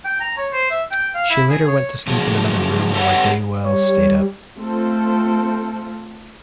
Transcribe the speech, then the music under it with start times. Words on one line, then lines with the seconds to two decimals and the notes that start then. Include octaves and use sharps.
She later went to sleep in another room while Deuel stayed up.
0.04 G5
0.20 A#5
0.37 C#5
0.53 C5
0.70 E5
0.91 G5
1.14 F5
1.30 E4
1.49 G#4
1.67 C#5
2.07 C#3 F3 F#3 A#3 G#4
2.94 G4 A4 B4 C#5 F#5
3.65 G3 C#5
4.59 A3 C4 F4 A4